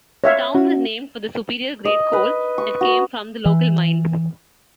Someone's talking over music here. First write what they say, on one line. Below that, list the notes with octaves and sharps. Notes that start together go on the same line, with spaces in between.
The town was named for the superior-grade coal that came from the local mines.
C#5 E5 F5
C#4 F#4
D#5
B4
C#6
F#4
E3